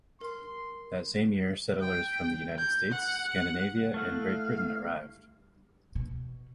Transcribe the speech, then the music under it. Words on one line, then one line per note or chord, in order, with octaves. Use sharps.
That same year settlers from the United States, Scandinavia and Great Britain arrived.
A#4 C6
G5
G6
F#5
A3 E4 F5 F#5
B2